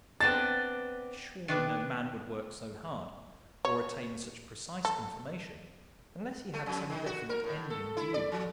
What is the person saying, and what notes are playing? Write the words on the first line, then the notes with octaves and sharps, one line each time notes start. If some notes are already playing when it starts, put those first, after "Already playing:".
Surely no man would work so hard or attain such precise information unless he had some definite end in view.
B3 C4 D4 A6
D#3 D4 B4
C#5
A4
A3
F2
D#3
F#4
A#4
A2
A4
E4
D5
F3